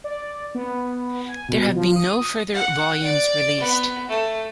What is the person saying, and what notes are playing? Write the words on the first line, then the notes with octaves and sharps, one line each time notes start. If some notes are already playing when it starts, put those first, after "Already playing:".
There have been no further volumes released.
D5
B3
G#5
B2
F3
D#6
F#5
D5
B3
A3